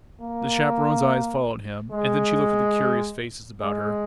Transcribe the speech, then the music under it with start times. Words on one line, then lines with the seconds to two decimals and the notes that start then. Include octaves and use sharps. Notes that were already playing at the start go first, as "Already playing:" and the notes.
The chaperone's eyes followed him, and then she looked at the curious faces about her.
0.21 A#3
1.91 G#3
3.62 G#3